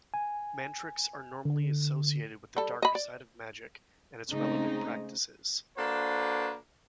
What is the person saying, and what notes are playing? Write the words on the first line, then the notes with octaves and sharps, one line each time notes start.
Mantriks are normally associated with the darker side of magic and its relevant practices.
G#5
D3
G3 A4
D#5 B5
D5
C#3 G#3 A3 C4 D#4
A#3 D4 F#4 A4 B4 C5